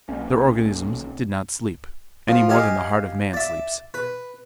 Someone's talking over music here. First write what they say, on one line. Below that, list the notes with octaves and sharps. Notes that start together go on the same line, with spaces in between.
Their organisms did not sleep, any more than the heart of man sleeps.
B1 A#3 C4 C#4
F3
G4 D#5 F5 G#5
D5 E5
B4